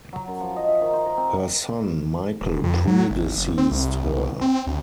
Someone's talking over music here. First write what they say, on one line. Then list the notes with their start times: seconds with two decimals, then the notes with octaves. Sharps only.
Her son Michael pre-deceased her.
0.13 F#3
0.28 F#2
0.40 F3
0.56 D#5
0.68 E5
0.81 D#3
0.93 C5
1.06 A#4
1.17 C4
2.41 D#1
2.64 F2
2.87 F#3
3.10 G#1
3.37 F#1
3.58 C4
3.72 C2
4.41 C4
4.67 D2